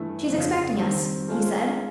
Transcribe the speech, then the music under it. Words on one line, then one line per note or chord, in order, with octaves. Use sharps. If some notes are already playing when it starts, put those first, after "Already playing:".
"She is expecting us," he said.
Already playing: G2 E3 A3
F2 C#3 F3
D#3 G3 C4
G#3 C#4 F4 A4 C5